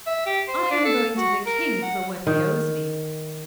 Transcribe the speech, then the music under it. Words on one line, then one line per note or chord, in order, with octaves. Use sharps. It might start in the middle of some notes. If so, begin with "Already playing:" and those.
'I am going to the King for what he owes me.'
E5
G4
C5
D4
A4
F#4
A#4
F#5
D#3